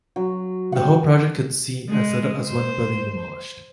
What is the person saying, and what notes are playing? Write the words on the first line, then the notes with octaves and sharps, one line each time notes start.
The whole project could see as little as one building demolished.
F#3
F#5 G5
G#3
C5